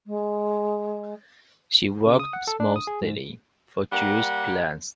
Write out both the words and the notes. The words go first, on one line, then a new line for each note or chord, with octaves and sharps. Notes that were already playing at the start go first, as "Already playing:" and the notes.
She worked mostly for Jewish clients.
G#3
C#3
D#6
F#5
A4
D4
D#6
G#4
G#2
G3 A#3 G4 F#5